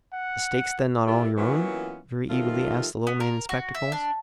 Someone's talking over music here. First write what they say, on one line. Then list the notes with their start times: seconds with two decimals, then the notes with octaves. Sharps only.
"The stake's then not all your own?" very eagerly asked the little man in spectacles.
0.13 F#5
1.07 E4 F4 G4 A#4 D5 E5
1.37 E3 F#3 A#3 B3 C#4 F4
2.30 D#3 F3 G3 A3 F4
3.07 B3
3.20 A#4
3.49 F#4
3.75 E5
3.92 D4